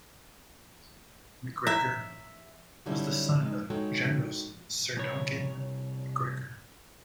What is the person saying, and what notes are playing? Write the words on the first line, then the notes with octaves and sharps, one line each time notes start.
MacGregor was the son of General Sir Duncan MacGregor.
E5 A#5
D3 F#3 G3 C#4 D#4 E4
G#3 D#4
G#3 D#4 F#4 A4 C#5 G5
C2 C#5